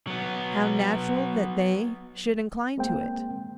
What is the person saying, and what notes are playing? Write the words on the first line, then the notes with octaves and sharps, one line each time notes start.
How natural that they should incline to it!
F#3 B3
G#3 A#3 C4 G5